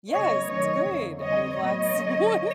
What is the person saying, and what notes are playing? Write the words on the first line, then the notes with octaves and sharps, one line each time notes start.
Yes, good, I'm glad someone
C#3 F#3 B3 C#5 D#5
F#2 D#3 F#3 A3 C#4 C#5 D#5
F2 D3 F3 A#3
D3 G3 C4 C#5 D#5
A2 F#3 B3 C#5 D#5
D3 F#3 A#3 C#4